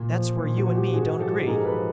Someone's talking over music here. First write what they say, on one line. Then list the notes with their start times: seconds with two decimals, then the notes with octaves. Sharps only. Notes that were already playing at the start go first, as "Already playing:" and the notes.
That's where you and me don't agree!
Already playing: A#2
0.12 F3
0.39 A#2
0.57 F#4
0.66 F3
0.75 G4
0.93 G#2 F#4 G#4
1.19 F3 G4 A4
1.47 G#2 G#4 A#4
1.65 A4 B4
1.73 F3